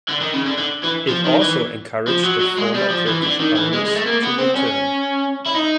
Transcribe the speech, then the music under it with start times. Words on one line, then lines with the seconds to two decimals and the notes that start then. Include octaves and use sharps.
It also encouraged the former Turkish owners to return.
0.09 D3
0.22 D#3
0.34 C#3
0.46 D3
0.58 D3
0.84 E3
1.09 F3
1.25 D#3
1.42 E3
2.08 F3
2.24 F#3
2.41 F#3
2.57 G#3
2.74 G3
2.90 F3
3.06 E3
3.23 D3
3.40 D#3
3.56 E3
3.73 G#3
3.85 G#3
3.96 A3
4.06 A#3
4.23 B3
4.38 C4
4.55 C#4
5.46 E4
5.55 D#4